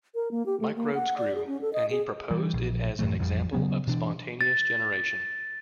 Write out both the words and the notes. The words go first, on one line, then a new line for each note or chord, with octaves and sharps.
Microbes grew, and he proposed it as an example of spontaneous generation.
A#4
A#3
G4
A3
A#3
F#5
D5
G#4
C#4
A4
D#5
G#4
E3 G3
A#1
F#2 A2 E3 A3
A1 F2 F3 G3
C#3 F#3 B3 C#4
B2 E3 D4
A6